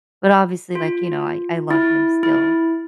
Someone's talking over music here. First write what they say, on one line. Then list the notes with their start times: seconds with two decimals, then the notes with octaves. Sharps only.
But, obviously, like, you know, I I love him still.
0.75 F4
1.71 E4
2.23 E4